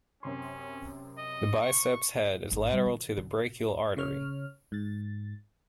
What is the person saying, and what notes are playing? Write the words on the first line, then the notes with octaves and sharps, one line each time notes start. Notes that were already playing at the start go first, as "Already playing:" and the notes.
The biceps head is lateral to the brachial artery.
F#2 C3 C#4 C6
D#5
C#6
G#1
G3
D#3
D3
C#3 C#5 F6
G#2 A6